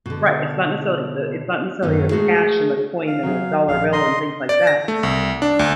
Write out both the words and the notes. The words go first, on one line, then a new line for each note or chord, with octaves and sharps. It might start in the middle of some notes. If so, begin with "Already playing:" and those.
right, it's not necessarily the it's not necessarily a cash and a coin and a dollar bill and things like that.
B2 D3
F#2 A2 D#3 A3 B3 C#4
G#3 A3 F#4 G#4 A#4
F5
F#3 G#4
A#1 F5
D#5 A#5 C6
D5
A#6
A3
C2
D4
D2